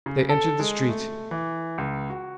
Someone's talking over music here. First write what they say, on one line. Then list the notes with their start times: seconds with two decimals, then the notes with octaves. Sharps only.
They entered the street.
0.06 C#3
0.29 A4
0.59 G#3
0.89 A3
1.31 E3
1.78 C#2
2.10 F#4